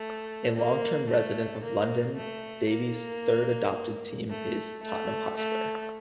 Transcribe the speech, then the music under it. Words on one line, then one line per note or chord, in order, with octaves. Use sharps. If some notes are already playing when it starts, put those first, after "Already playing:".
A long-term resident of London, Davies' third adopted team is Tottenham Hotspur.
Already playing: A3
A#3
A3
A#3
A3
A#3
A3
A3
A3